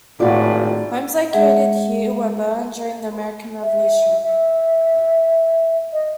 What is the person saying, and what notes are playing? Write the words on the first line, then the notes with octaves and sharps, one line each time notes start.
Homes located here were burned during the American Revolution.
G#1 A2 F4 F#4 D5
G#3 G#4 E5 F#5
E5
E5
D#5